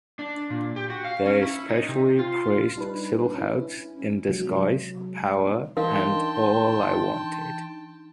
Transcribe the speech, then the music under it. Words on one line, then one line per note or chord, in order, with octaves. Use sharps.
They especially praised "Silhouettes in Disguise," "Power", and "All I Wanted".
D4
A#2
G4
F#4
F5
C#4
E4
D#4
C3
F4
G3 D4 D#4 B4
C#4 E4
C3 F#3 G#3
E3 D4 D#4 A#4 F5 G5 A5 C6